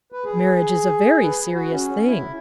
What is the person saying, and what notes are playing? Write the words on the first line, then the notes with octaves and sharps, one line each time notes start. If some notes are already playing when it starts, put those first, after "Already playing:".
"Marriage is a very serious thing."
B4
G#4
B4
G#4
F#4
C#4
E4